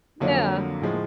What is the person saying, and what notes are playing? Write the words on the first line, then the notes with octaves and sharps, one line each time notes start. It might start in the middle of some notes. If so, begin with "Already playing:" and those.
yeah, y
F2 D3 F#3 A#3
A2 F3 G#3